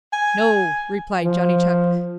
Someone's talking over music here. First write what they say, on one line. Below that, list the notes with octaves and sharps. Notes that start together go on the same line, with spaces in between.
"No," replied Johnny Chuck.
G#5
F3